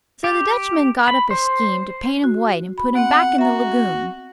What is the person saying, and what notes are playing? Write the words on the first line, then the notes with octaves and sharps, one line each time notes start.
So the Dutchman got up a scheme to paint him white and put him back in the lagoon.
G4
B5
C5
F#4
B5
B3 C4 F#5
F#4 E5 A#5